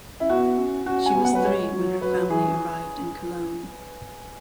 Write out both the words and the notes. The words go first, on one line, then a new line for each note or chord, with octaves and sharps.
She was three when her family arrived in Cologne.
C#4 E4
B3 F#4
C#4
C#4 F#4
G#5
B3
F#5
F#3 B4
G#3 C#5
F#3
F#3 B4
E3 G#4